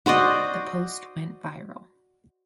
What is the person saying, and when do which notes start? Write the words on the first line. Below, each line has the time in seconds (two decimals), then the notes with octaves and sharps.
The post went viral.
0.06 F#4 C5 D5 D#5